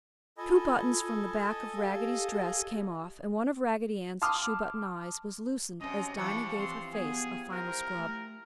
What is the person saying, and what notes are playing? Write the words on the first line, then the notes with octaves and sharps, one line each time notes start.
Two buttons from the back of Raggedy's dress came off and one of Raggedy Ann's shoe-button eyes was loosened as Dinah gave her face a final scrub.
F4 A4 D#5 G#5 B5
G4 F5
A5 C6 D6 D#6 F6
F#2 C3 D#5
E3 F3 G3 D4 C#6
C4 C6
B3 G#4
A#4 C5
A3